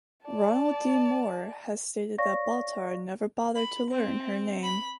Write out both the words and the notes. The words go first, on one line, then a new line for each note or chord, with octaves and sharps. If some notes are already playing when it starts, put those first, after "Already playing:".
Ronald D. Moore has stated that Baltar never bothered to learn her name.
D5 A5
C#5 D5 F5 C#6 A#6
B5
C4
B5